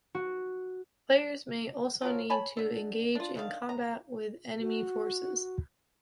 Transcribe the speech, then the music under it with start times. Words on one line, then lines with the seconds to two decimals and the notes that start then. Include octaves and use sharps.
Players may also need to engage in combat with enemy forces.
0.15 F#4
2.02 F3 F#3 A#4
2.30 C#5 G#5 A5 B5
2.57 D3 A4
3.15 D4 F4
3.35 D3 D#3 F5
3.69 A#5
4.60 F#4